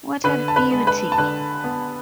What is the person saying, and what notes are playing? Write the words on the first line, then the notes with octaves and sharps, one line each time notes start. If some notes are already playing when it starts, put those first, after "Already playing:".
What a beauty!
D3 B4 B5
A5
B4 B5
G#3
B4 B5
A5
D3 B4 B5
B3